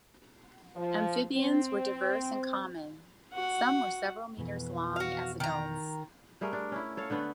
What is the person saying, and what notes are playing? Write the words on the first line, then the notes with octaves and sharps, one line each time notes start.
Amphibians were diverse and common; some were several meters long as adults.
F3
C4
F#4 F#5
F2 B2 E3
F#4 F5
D#3 A#5
G3 A3 G#4 A#4
D4
C#4 E4
A4 C#5 F5
D3 A3 B3 F#5